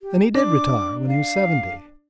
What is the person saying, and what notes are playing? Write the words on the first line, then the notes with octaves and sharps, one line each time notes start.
And he did retire when he was seventy.
G4
D4 D6
F5